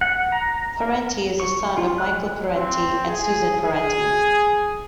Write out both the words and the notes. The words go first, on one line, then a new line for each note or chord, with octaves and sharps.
Parenti is the son of Michael Parenti and Susan Parenti.
F#5
A#5
C#6
F4
F#6
C4
G#4
G#4